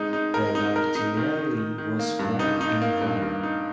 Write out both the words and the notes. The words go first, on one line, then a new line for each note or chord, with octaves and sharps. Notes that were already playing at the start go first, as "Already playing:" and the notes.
Belardinelli was born in Rome.
Already playing: G#3 D#4
D#4
A#4
D#4
A#4
D#4
D#3
D#3
D#3
D#3
A#3
G2
D#4
D#4
A#3
G2
G2
D#4